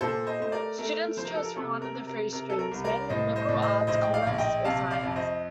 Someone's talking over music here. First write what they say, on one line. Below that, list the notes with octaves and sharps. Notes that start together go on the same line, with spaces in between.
Students choose from one of three streams, namely liberal arts, commerce or science.
A#2 A4 C5
C5 D#5
A3 C5
A#4 D5
A3 A#4
F3 C5
A#4
A4
A#4
C3 A4
A#4
C3
A#4
C3 A#4
A4
A#4
C2
A#4 D5
A2 C5 D#5
C5 D#5
A2
C5 D#5
A#1 C5 D#5
G5
D5 F5
A#1
D#5 G5
C3 F5 A5
D5 F5
F2
C5 D#5